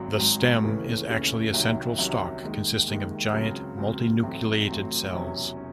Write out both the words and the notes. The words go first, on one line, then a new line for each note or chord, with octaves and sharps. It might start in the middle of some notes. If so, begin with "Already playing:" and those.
The "stem" is actually a central stalk consisting of giant, multinucleated cells.
Already playing: G#1 G#2 F#3 C4
G#1 G#2 F#3 C4
D#2 C#3 E3 A3 C#4
D#2 C#3 E3 A3 C#4
C2 C3 D#3 F#3 C#4
C2 C3 D#3 F#3 C#4
D#2 D#3 G#3
D#2 D#3 G#3
C#2 C#3 F#3 C4
C#2 C#3 F#3 C4
A1 A2 F#3 C4
A1 A2 F#3 C4
E1 E2 C3 F#3 C#4
C#4